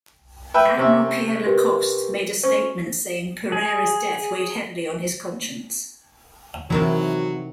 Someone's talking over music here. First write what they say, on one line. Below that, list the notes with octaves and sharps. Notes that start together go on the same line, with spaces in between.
Admiral Pierre Lacoste made a statement saying Pereira's death weighed heavily on his conscience.
B4 E5 G5
C3 C#4 E5
G4 A#4 B4
C#4 C5
G#4
C3 D#3 E3 F#3 E4